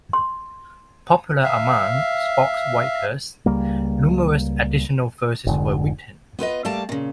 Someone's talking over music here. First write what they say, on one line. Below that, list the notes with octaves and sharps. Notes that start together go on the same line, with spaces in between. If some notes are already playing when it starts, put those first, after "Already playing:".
Popular among sportswriters, numerous additional verses were written.
C6
E5 F5
C#2 G3 A#3
F1 G#2 D3
B3 F4 B4 D#5
G3 A3 A#3 F5 A5
A#2 C#3